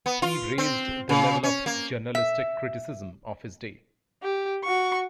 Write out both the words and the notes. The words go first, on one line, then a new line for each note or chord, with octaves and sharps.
He raised the level of journalistic criticism of his day.
B3
F4
C4
C#3
C#4
A#3
E5
G4
F#4 C#6